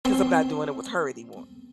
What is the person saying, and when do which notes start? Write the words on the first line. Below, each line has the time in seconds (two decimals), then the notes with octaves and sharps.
'cause I'm not doing it with her anymore,
0.05 C4 C6